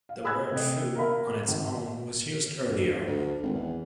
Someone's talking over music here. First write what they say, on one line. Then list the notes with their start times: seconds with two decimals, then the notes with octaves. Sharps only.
The word "foo" on its own was used earlier.
0.09 F5
0.24 G#4 B5 E6 F#6 G#6
0.51 C3 A3 D#5
0.95 A#4 E5 F5 B5
1.48 G#1
2.68 D2
3.07 D2
3.42 G#1
3.55 E2